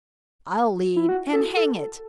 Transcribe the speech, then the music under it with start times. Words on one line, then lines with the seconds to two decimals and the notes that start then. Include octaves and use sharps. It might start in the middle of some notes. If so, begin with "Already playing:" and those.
I'll lead, and, hang it!
0.96 E4
1.09 F#4
1.33 A4
1.57 A4